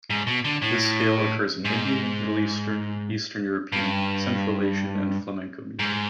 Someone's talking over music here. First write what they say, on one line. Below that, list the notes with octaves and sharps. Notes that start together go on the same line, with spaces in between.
This scale occurs in Indian, Middle Eastern, Eastern European, Central Asian and Flamenco music.
G#2
B2
D3
A2
G#2
G2
G#2